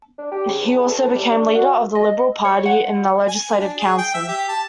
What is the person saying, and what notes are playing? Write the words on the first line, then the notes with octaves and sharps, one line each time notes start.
He also became leader of the Liberal Party in the Legislative Council.
D4
G4
C#3
E2
E2
A4
A2
G3
D4
F#4
D#5
C#5
F#5
G#5
D4
G#4
G5
E5
G4
A5